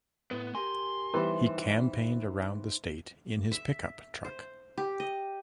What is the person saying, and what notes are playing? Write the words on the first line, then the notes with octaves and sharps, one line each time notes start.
He campaigned around the state in his pickup truck.
A2 B3 B4
G4 A#4 G#5 C6
E3 G3 B3 D#4 C5 E5
E5
C5
G4
D#5